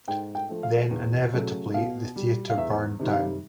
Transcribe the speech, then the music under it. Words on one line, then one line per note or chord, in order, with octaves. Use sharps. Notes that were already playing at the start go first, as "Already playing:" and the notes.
Then, inevitably, the theatre burned down.
G#2 G5
G5
F3 A3
F5
E2
C#3 F#3 A3
B2 F5
G3
F5
E2 E5
C3 D#3 G3
F5